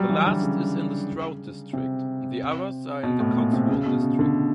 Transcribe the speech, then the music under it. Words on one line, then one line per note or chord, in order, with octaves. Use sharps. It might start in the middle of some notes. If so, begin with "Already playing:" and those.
The last is in the Stroud district; the others are in the Cotswold district.
Already playing: F#3 G3
E3
D3
C#3
C3
B2
A2
A#2
C3
C#3
B2
C#3
D3